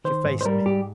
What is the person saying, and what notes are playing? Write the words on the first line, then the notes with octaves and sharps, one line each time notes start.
She faced me.
D#3 C5
G#2
C5
G3 A#4
G#2 G4